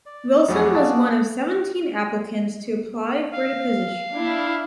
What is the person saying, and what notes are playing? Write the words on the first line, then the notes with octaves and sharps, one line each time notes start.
Wilson was one of seventeen applicants to apply for the position.
D5
F2 F#3 A3 F#4 G#4 D5
F5 A5
F5
D4 E4